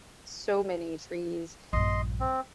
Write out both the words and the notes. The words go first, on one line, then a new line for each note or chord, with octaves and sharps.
so many trees,
A#1 G2 D#5 C6
C4